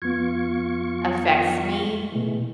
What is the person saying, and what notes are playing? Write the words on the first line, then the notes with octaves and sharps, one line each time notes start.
affects me,
F2 B3 F4 C#6 G#6
B2 E3 G#3 A3